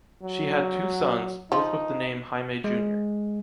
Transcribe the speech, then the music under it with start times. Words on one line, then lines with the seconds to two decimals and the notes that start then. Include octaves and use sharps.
She had two sons, both with the name Jaime Jr.
0.23 F#3
1.52 F3 D#4
2.64 G#3